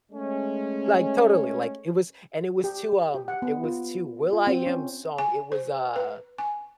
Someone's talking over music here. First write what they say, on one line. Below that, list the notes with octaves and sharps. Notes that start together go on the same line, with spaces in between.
Like, totally, like it was and it was to, um it was to will.i.am song, it was, uh
G#3 A3 C#4
G4
G4
F#5
B3
F4
F4
C4
C#4
G#5
C5
B4
G#5